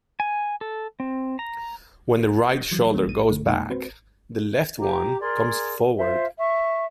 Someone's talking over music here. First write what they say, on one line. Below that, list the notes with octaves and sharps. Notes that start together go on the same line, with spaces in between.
When the right shoulder goes back, the left one comes forward.
G#5
A4
C4
A#5
E3 F#3
E3 G3 A#3
A#1 D#7
A#1 D3 A3
F2 B2 G#3 A#3 D#4
C4 F#4 B4 C5
G4 A#5 D6
G#4 A#4 D5 C6
F4 C5 E5 F5
E5 C#6